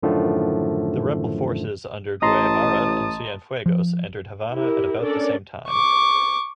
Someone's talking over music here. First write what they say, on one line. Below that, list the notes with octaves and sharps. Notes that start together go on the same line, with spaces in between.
The rebel forces under Guevara and Cienfuegos entered Havana at about the same time.
F#2 A2 D3 D#3 F3 A3
A1 D#5 A5 A#5 C6 D#6
F3
E4 G4 A#4
C#4 D4 A4 A#4 D5
C#6 D6